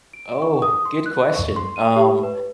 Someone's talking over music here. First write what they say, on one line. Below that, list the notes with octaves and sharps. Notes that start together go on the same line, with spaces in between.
Oh, good question, um,
D7
C#6
D#6
C6
F#6
C#6
C6
D#7
G4
B4